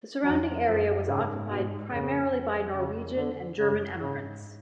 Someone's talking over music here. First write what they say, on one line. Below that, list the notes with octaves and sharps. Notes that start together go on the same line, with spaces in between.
The surrounding area was occupied primarily by Norwegian and German emigrants.
F2 F#3
F#2 F3
G#2 C#3
B2
F2 C#3
C#3
D3
F#2 C#3
G#2 C#3